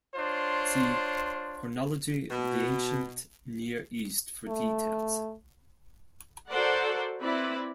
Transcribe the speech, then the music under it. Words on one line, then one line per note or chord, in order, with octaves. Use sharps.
See Chronology of the Ancient Near East for details.
D4 F4 C5 C#5 C6
B2
A3
F#4 A4 A#4 C5 D5 F#5
C4 E4 B4 D5 B5